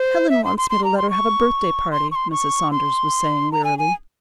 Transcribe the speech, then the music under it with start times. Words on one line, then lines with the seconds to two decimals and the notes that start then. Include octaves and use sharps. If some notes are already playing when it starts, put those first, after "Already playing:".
"Helen wants me to let her have a birthday party," Mrs. Saunders was saying wearily.
Already playing: C5
0.30 E5
0.45 C6
0.58 C6
0.70 C6
0.84 A#5
0.98 C6
1.10 C#6
1.91 C6
2.11 C#6
2.15 C6
2.31 C#6
2.71 C6
3.52 A#5
3.65 G#5
3.79 G#5